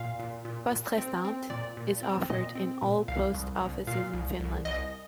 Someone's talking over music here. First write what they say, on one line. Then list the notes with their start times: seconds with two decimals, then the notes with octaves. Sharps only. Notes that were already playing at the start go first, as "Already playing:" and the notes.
"Poste restante" is offered in all post offices in Finland.
Already playing: A#2 F5
0.20 A#2
0.45 A#2
0.72 A#2
0.98 C4
1.25 C4
1.50 A#2 D5
1.77 A#2
2.03 C4
2.30 A#2 D#5
2.55 C4
2.82 A#2
3.08 C2 F5
3.35 C2
3.61 C2
3.87 A#2 F5
4.13 C2
4.40 C2
4.65 C2 D#5